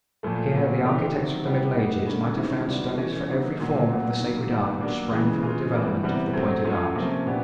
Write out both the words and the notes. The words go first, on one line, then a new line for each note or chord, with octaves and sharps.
Here the architects of the middle ages might have found studies for every form of the sacred art which sprang from the development of the pointed arch.
A#2 F3 A3
A#2 F#3 A#3
E3 A3 D4 G4
C3 D#3 F#3
G3 B3 E4 G4
G3 B3 D#4 F#4
D3 G3 A#3 C#4
C3 D#3 G#3 C#4 E4
D#3 G3 B3 D4 F4
E3 A3 C#4 E4
D3 F#3 B3 D#4
A#2 F#3 A#3 C#4 F4
A#2 F#3 B3
D#3 F#3 A#3
D#3 G3 B3
F#3 A#3 D4
C#3 E3 G#3
E3 G#3 C#4 F4
E3 G3 B3 E4
C3 E3 G3 B3
F#3 A3 C4
F#3 A3 C#4 F4
C3 F3 A#3 C#4
A#2 F#3 B3 D4 G4